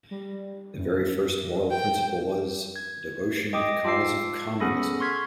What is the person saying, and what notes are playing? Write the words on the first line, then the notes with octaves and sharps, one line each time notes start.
The very first moral principle was "Devotion to the cause of communism".
G3
F#2
G5
G#6
D#5 G5 D6 D#6
F4 A5 D6 E6 C7
B3 C#4 G#4 A4 B5 A#6
C6 C#6 F6 G#6 B6